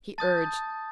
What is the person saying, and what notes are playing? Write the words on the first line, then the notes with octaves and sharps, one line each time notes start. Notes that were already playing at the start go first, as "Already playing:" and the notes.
He urged.
A5 D#6 G6 A6